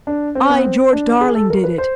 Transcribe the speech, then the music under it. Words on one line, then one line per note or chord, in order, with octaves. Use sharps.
I, George Darling, did it.
D4
C4
B3
C4
D4
G#4
A4
A#4
B4
C5